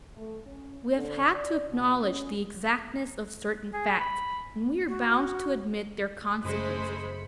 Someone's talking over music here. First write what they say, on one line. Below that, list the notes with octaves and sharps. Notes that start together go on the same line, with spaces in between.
We have had to acknowledge the exactness of certain facts, and we are bound to admit their consequences.
A3
C#4
D3
D5
B2
C#4
G#4
B5
F#4
F#2 C#3 G#3 A3 C5 B5 C#7